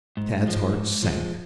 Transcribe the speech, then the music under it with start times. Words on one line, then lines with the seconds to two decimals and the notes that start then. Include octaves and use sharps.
Tad's heart sank.
0.17 G#2
0.46 F3 G#3
0.74 G#2
1.02 F3 G#3